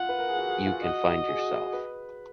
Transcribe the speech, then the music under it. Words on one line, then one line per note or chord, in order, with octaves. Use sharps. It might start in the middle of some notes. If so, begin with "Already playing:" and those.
You can find yourself.
Already playing: F4 F#5
B4
A#4
G#4
F#4
G#4
G#4
F4
F#4
F#4 D#5
G#4
F#4
G#4
B4